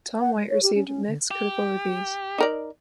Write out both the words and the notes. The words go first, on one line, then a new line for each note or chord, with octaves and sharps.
Tom White received mixed critical reviews.
F#5
G#3
C#5
G4
C#4
C#4
D3
G4
D#4 A#4 D5